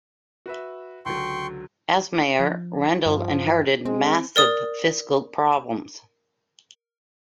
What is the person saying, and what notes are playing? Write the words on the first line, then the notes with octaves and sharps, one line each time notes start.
As mayor, Rendell inherited massive fiscal problems.
F#4 B4 E5
C#2 D3 F#3 G5 C6 C#6
F3
G2 F3
G#3 C4
A#4 D5 D#6